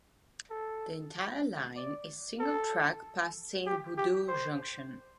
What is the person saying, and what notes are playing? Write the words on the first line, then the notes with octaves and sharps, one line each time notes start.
The entire line is single track past Saint Budeaux Junction.
A4
D5
A4
G4
G4
C5